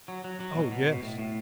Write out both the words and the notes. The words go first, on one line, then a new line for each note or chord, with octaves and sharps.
"Oh yes!"
F#3
F#3
F#3
B2
B2
B2
A2
A2